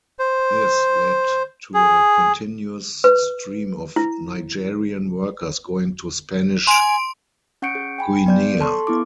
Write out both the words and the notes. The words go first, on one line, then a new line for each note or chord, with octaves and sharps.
This led to a continuous stream of Nigerian workers going to Spanish Guinea.
C5
G#4
B4
E4
G#5 C6 D7
C#4 F#5 C#6 G6 C#7 D7
G#4
G5 G#5 B5
B3 D5 G6
A4 A5 C6 C#6
B3 E4 D6